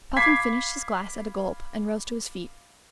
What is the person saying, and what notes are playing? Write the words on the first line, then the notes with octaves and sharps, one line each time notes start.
Puffin finished his glass at a gulp, and rose to his feet.
F5 B5 D6 G#6 B6 C7